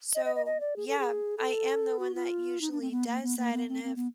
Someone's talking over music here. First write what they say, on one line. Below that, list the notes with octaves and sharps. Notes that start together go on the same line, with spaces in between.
So, yeah, I am the one that usually does that, and have
D#5
D#5
D#5
D#5
D5
G#4
A4
G#4
A4
F#4
F4
D#4
D4
C4
B3
A#3
B3
A#3
B3
C4
C4
B3